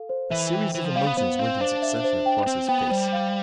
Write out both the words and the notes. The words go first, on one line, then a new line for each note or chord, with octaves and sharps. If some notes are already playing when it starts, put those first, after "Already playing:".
A series of emotions went in succession across his face.
Already playing: A4 F5
C5
E3 E5
G5
E3 C5
F3
G3 F5
B3
B3 C5
C4 F5
D4 C5
E5
C5
G5
C4 C5
B3 G5
G3 C5
F5